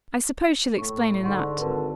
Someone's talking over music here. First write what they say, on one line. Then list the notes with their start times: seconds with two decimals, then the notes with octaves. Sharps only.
I suppose she'll explain in that.
0.78 A2 C#6
1.24 G#2 D3 F#5 C6 C#6
1.59 G#1 A#4 B4 A5